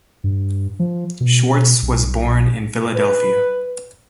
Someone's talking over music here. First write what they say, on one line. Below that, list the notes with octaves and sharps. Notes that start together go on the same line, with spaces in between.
Schwartz was born in Philadelphia.
G2
F3
B2
B1
B4